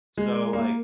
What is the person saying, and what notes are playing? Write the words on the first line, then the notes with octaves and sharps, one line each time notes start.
So, like,
G#3
A#3